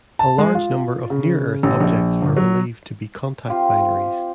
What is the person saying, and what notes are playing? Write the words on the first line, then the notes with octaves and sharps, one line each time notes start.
A large number of near-Earth objects are believed to be contact-binaries.
A5
G#3
F4
C#3
A1
A#1
G1
F#3
C4 F4 G4